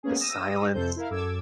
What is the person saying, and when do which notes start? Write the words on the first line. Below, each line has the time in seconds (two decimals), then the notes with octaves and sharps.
The silence.
0.03 G#3 A#3 B3 C#4 G#4
0.20 D#6 E6 A#6 D#7
0.73 F2 C3 A4 C5 G6
0.96 E4 A#4 F5
1.10 F#2 A4 D6 E6 G#6